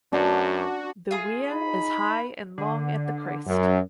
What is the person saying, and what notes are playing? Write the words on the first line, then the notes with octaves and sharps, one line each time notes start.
The weir is high and long at the crest.
F#2 D4 F#4
F4 G#4
D#4 B5
D3
F#2